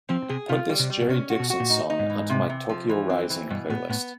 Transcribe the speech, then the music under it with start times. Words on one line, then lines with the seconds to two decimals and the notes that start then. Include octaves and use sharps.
Put this Jerry Dixon song onto my Tokyo Rising playlist.
0.09 F3 C4
0.29 C3 G#4
0.49 C3 F4
0.69 G3
0.80 C3
0.90 G3
1.01 B2
1.09 C3 C#4
1.30 F#4
1.40 B2
1.50 F#4
1.60 A#2
1.70 A2 D#4
1.90 D#4
1.99 G#2
2.10 E3
2.30 C3
2.49 C3
2.69 F3
2.89 E3
3.10 C4
3.30 E3
3.50 G2 B2
3.70 A2 B3
3.90 A2 B3